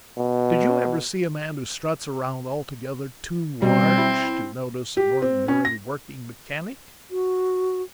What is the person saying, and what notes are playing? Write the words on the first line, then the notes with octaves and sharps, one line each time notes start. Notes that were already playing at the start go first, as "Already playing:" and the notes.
Did you ever see a man who struts around altogether too large to notice an ordinary working mechanic?
B2
B2 G3 C4
E4
G4
C4
C#4
A#6
F#4